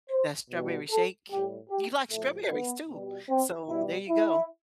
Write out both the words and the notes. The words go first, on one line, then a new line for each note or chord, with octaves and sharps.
That strawberry shake. You like strawberries too, so there you go.
C5
B2 G3
A4
A2 G3 G4
G4
A2 F3 A3
B3
B2 G3
C4
B2 G3 E4
E4